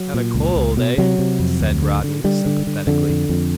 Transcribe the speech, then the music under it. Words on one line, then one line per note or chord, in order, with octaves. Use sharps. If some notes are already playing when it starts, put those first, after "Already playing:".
"Got a cold, eh?" said Rodney sympathetically.
Already playing: F#3
A#2
C#2
C#2
B2
C3 F#3
C3
F2
D2
D3
D3
D3 G3
D3
D3
F2 D3
F2
F2